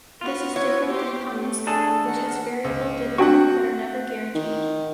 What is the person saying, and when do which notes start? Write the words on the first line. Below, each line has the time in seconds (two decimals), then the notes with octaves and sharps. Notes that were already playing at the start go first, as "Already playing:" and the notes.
This is different than common stock, which has variable dividends that are never guaranteed.
0.21 B3 F4 F#4
0.56 E4 C#5
0.89 G4 C5
1.29 A3
1.67 D4 G#4 A4
2.05 D#3 F#5
2.64 C#2
3.18 C4 D4 F#4 F#5 G5 C#6
4.35 D#3